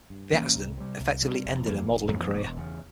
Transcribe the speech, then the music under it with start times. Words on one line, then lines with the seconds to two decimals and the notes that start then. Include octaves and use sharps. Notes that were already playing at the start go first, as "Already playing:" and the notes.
The accident effectively ended her modeling career.
0.10 G2
0.32 E3 A#3 C#4
0.55 C2
0.77 C3 G3
1.00 C2
1.22 C3 G3
1.45 F1
1.67 F2 E3 A#3
1.89 F1
2.12 F2 E3 A#3
2.35 E1
2.57 E2 C#3